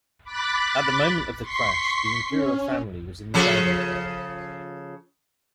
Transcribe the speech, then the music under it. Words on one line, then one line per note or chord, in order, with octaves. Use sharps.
At the moment of the crash, the imperial family was in the dining car.
B5 D6 F#6 A6 B6
C6 C#6 B6 C7
C#4
C#3 F3 A4